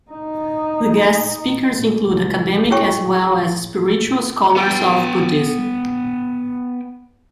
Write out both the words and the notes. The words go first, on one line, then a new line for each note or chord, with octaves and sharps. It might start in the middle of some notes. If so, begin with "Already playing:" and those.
The guest speakers include academic as well as spiritual scholars of Buddhism.
D#4
C#2
E4 G4 G#4 C#5 G5 C#6
B3 G5